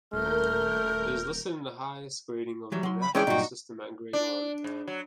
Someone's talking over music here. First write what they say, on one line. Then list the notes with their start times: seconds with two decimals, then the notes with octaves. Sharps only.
It is listed in the highest grading of the national system at Grade One.
0.13 D#1 A3 A#4 F6 G6
2.72 E3 F#3 G3
2.83 F#3 C6
3.02 B5
3.15 E3 G#3 C#4 G#4 C#5 D5 G5
3.27 G2 A#2 F#3 D#4 F#4
4.13 D4
4.64 G#2
4.87 F#3